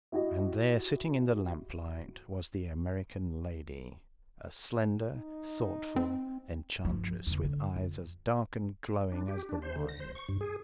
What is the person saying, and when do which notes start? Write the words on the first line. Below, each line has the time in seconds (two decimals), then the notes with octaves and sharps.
And there, sitting in the lamplight, was the American lady--a slender, thoughtful enchantress with eyes as dark and glowing as the wine.
0.12 E4 F#4 G4 D#5
5.16 D#4
5.96 C4
6.85 G2 F3
7.26 E2 C#3
7.44 D3
7.76 F2
9.12 D4
9.28 G4
9.49 D4
9.62 C5
9.76 D3
9.88 A#6
10.00 C5
10.15 C#6
10.28 G2
10.41 G#4